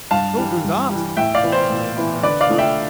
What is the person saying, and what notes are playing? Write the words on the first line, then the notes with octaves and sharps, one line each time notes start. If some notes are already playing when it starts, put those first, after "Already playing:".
"Don't do that!" exclaimed the nervous man.
G2 F5 A5
E3 G3
G2
E3 G3
A2 E5 G5
D5 F5
E3 B3 E4
C5
A2
E3 B3 E4
D3 B4 D5
D5 F5
A3 D4 F4
E5 G5